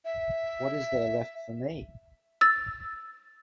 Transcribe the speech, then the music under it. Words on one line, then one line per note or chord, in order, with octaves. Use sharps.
What is there left for me?
E5
E6 A6